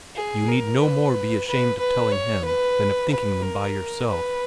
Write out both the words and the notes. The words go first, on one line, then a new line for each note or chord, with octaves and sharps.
You need no more be ashamed of telling him than of thinking them by yourself.
G#4
A#4
B4
B4
B4
C#5
B4
B4
A#4
B4